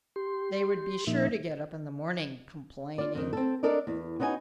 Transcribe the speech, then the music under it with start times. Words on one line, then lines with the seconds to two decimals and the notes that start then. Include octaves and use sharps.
They would be sure to get up in the morning complaining.
0.16 G4 C6
1.07 A#2 F3 A#3 D#4 E5
2.98 F4 D5
3.15 F2 D#3
3.33 C4 A4
3.63 D4 A4 A#4 D5 D#5
3.87 E2
4.20 B3 C#4 D#4 F#4 G#5